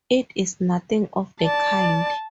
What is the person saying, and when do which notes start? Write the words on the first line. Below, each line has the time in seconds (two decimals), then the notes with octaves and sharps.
It is nothing of the kind.
1.43 D5 A5